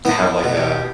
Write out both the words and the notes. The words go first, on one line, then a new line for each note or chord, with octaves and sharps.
to have, like a
B3 E4
B2
G4